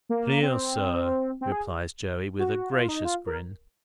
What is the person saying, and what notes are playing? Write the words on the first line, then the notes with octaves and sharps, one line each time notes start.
"Clear, sir," replies Joey, with a gracious grin.
A#3
C4
C4
G#4
F#4
F4
D#4
F4
A#4